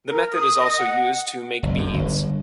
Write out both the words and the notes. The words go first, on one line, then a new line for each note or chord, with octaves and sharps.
The method is also used to make beads.
A#4
D#6
D#5
F#5
F#1
F#2
G1